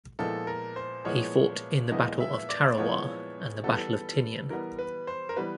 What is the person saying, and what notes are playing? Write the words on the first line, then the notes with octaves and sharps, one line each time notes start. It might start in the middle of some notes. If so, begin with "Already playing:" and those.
He fought in the Battle of Tarawa and the Battle of Tinian.
A#2 F3 G#3 B3 E4 A4
A#4
C5
A#2 F3 G#3 B3 E4 C#5
A#2 F3 G#3 B3 E4 D#5
E5
D5
C5
A#2 F3 G#3 B3 E4 C#5
E3 G3 B3 A4
E3 G3 B3 A#4
B4
C5
A#4
E3 G3 B3 B4